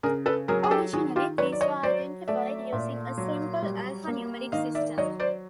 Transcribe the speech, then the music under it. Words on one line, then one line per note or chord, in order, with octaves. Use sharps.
Originally, these were identified using a simple alphanumeric system.
C#3 G#4 A#4
A4 B4
F#3 G#4 A#4
G#4
G4 A4
D#3 F#4 G#4
F4 G4
F#3 B4 C#5
D5
C#5 D#5
F#3 C5 D5
A3 D5 E5
A#2
F#3
G3
A#3
D#3 D#5 F5
D5 E5
F#3 C#5 D#5
C5 D5